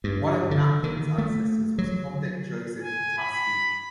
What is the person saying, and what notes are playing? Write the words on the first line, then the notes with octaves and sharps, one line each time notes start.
One of Napthine's ancestors was convict Joseph Potaski.
G2
D3
D#3
A3
F#3
G#5
B5